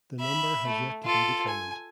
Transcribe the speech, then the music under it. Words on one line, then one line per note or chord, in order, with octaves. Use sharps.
The number has yet to be determined.
E5 B5
A3
F4 A4
G#5